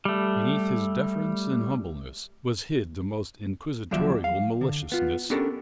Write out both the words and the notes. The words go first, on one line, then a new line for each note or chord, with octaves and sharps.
Beneath his deference and humbleness was hid the most inquisitorial maliciousness.
G3 A3
D#2 F3 F#3 D5 E5
F5
D3
B3 F4
B3 C#4 D4 G4 A4 A#4